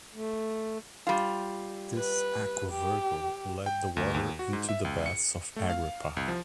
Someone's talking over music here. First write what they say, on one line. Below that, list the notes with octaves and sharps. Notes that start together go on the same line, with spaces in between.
This "Aqua Virgo" led the water into the Baths of Agrippa.
A3
G3 F4
B4
G4
G5
D2
D#2
F#4
G#2
E5
C#2
C#7
A3
F5
C2
F3